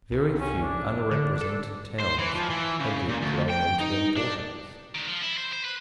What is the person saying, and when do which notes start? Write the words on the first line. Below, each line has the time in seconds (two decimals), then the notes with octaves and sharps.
Very few unrepresented towns had yet grown into importance.
0.11 C2
0.40 C#4
0.62 D4
1.11 D3
1.41 A4
2.00 C5
2.18 E3
2.35 F3
2.50 E3
2.80 C#3
3.09 A#2
3.22 D2
3.50 G5
3.81 D#4
4.17 D4
4.95 D#3 G#3
5.08 F3
5.23 E4
5.37 C5
5.53 C5
5.64 B4